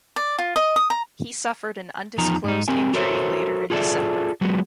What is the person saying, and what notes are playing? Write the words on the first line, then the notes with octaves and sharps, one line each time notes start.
He suffered an undisclosed injury later in December.
D5
F4
D#5
D#6
A#5
E2 F3 D#4 A#5
G#2 D#4
C4 G4 A#4 G#5
F#4 A4 A#4 C5 C#5 E5
F4 G#4 A4 C5 D5 E5
F#3 G#3 B3 F#4